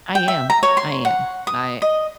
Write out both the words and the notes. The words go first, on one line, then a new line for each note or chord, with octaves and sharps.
I am. I am. I uh,
G5
E5
A#5
C#5
C6
F#5
D#6
D#5